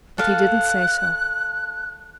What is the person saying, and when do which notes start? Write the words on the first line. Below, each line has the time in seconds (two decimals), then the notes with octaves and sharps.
But he didn't say so.
0.18 A4 F5 F#6